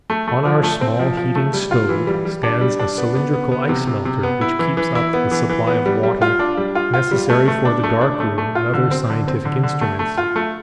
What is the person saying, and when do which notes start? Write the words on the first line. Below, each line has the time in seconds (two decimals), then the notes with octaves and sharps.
On our small heating stove stands a cylindrical ice melter which keeps up the supply of water necessary for the dark room and other scientific instruments.
0.10 A3
0.28 A3
0.45 F3
0.63 A3
0.81 C4
0.99 F3
1.17 F3
1.35 A3
1.53 G3
1.71 F4
1.89 E3
2.07 G3
2.25 G3
2.43 D4
2.61 G3
2.80 D4
2.98 B3
3.15 B3
3.33 B3
3.52 B3
3.69 C3
3.87 C3
4.05 C3
4.23 B3
4.41 E4
4.59 E3
4.77 E3
4.95 E4
5.13 B3
5.31 E3
5.49 E3
5.67 B3
5.86 G3
6.03 G3
6.22 F4
6.39 D4
6.57 G3
6.75 F4
6.94 F4
7.11 G3
7.30 A3
7.48 A3
7.65 D4
7.83 A3
8.01 D4
8.20 A3
8.38 A3
8.55 F4
8.74 D3
8.91 C4
9.10 D3
9.28 C4
9.45 D3
9.63 D3
9.81 A3
9.99 A3
10.18 F4
10.36 A3